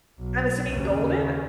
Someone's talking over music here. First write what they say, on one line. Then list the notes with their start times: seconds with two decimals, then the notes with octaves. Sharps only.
I'm assuming Golden?
0.18 B1
0.71 D#2 C#3